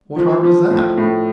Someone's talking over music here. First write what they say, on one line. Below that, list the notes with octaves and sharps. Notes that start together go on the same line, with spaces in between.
What harm is that?
F3
F3
A2
A2